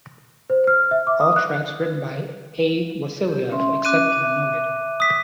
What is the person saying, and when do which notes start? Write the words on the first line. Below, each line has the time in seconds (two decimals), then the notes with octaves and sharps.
All tracks written by A. Wasiliev, except where noted.
0.50 C5
0.67 F6
0.91 E5
1.07 D6
1.21 D#6
1.36 F#6
3.28 G4
3.52 C#4 E5 C6
3.85 C#4 E5 D6 F#6 D#7
4.23 E5
5.00 D#6 B6